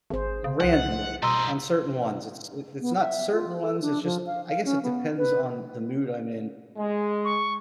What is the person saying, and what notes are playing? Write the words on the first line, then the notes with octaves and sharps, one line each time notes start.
randomly, on certain ones, it's i it's not certain ones, it's just I guess it depends on the mood I'm in
G#1 G#4 C5
C#3
C2 F#5
B2 G3 D#5 A#5 C6 E6
B3
E5
F4
A4
D4
F3
F5
F5
C#4
B3
B4
G#3
C#6